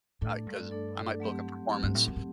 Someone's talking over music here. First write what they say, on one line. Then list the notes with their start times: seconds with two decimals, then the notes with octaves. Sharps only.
uh, 'cause I might book a performance,
0.21 A2 A3 D4 A4 D5
0.46 G2
0.71 A3 D4 A4 D5
1.20 F#3 A3 C4 G4
1.70 F#3 A3 C4 G4
1.83 G2
1.95 A2
2.07 F#2
2.16 A2